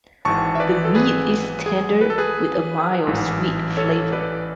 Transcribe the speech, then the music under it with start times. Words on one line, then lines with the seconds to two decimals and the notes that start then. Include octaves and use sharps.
The meat is tender with a mild sweet flavor.
0.25 G#1 G#2 E3 A5 C#6
0.55 E5
0.60 B4 D5
0.85 A4
0.95 G#4 B4
1.66 G#4
2.01 B4
2.10 A4
2.18 G#4 B4
3.07 A1 G#2 E3
3.77 A4 C#5
4.12 B4 D5